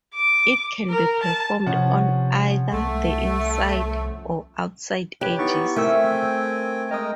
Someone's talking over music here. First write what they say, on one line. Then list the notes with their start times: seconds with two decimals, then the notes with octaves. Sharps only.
It can be performed on either the inside or outside edges.
0.15 D6
0.89 A#4
1.23 A5
1.66 C3 F3 C#4 F#5
2.72 C2 A3
5.21 G4 B4 C#5 G5
5.39 B3 D#4 E4 C#6
5.76 A3 C4 A#4 G5 G#5 E6
6.91 G#3 A#4 D#5 G5 D#6